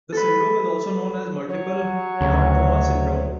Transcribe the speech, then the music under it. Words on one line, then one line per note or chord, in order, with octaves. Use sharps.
The syndrome is also known as Multiple hamartoma syndrome.
A4 B4
F#3 C#5
D2 C#3